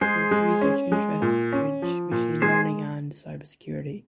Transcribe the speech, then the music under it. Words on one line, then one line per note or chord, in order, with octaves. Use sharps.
His research interests bridge machine learning and cybersecurity.
G#3 G#4 C5
G#3
C#4
G#3
A#2
C#4
F3
A#2
G#3 G#4 C5